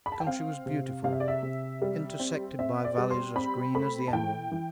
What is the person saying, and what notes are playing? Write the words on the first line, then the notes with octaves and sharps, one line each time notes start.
The country was beautiful, intersected by valleys as green as the emerald.
B5
A5
G5
C4 F5
C3
C3 F5
E5
D5
E5
C3
G3
C4
C4 E5
D5
G3
C6
C4 B5
A3 B5
A5
E3 G5
E3